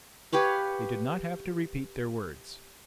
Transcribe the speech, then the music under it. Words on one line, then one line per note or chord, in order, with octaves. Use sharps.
They did not have to repeat their words.
G4 B4 C#5 F5